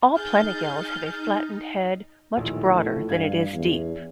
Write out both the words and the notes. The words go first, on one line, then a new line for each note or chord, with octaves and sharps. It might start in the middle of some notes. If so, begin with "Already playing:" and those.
All planigales have a flattened head, much broader than it is deep.
D#4 G#4 F6 G6 A6
A#1 D#2 A2
A2 F3 A3
G2 F5 G#6
E2